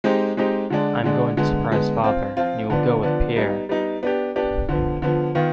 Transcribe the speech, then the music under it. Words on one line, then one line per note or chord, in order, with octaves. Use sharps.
I am going to surprise father, and you will go with Pierre.
G#3 C4 D#4 G4
G#3 C4 D#4 G4
D3 G#3 D4
D3 G#3 D4
D3 G#3 B3
D3 G#3 B3
F3 C4 F4
F3 C4 F4
D3 F3 B3 D4
D3 F3 B3 D4
G3 B3 D#4
G3 B3 D#4
B3 D4 G4
B3 D4 G4
D3 F3 B3
D3 F3 B3
D#3 B3 F4